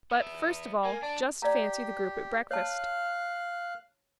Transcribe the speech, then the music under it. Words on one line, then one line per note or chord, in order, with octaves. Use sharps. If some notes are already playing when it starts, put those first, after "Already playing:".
But, first of all, just fancy the group at breakfast.
B3 E5
A#3 G#5
D4 D5 A5 D6
G4 D5 A#5
C#5 F5 A5 F#6